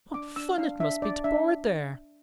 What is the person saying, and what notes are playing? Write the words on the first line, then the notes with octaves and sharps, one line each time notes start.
"What fun it must be to board there!"
D4 D6
D4 E6
D4 F5
D4 E5
D4 D5
D4 E5